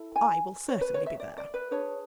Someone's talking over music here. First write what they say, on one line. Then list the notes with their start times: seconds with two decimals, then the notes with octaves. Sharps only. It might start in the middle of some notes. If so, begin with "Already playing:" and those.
I will certainly be there.
Already playing: E4 A4
0.16 G#5
0.68 C#5
0.81 B4
0.94 C#5
1.06 E5
1.20 D5
1.37 D5
1.54 B4
1.71 D4 G#4 B4 C#5